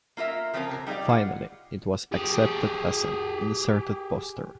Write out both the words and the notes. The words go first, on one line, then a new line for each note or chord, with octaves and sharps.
Finally it was accepted as an inserted poster.
A#3 F4 A#4 E5
C#3 F3 C4 C#4 F4 A#4
C3 A#4
G3 D#4 G#4 D5 F5
F4 F#5
G4 G#4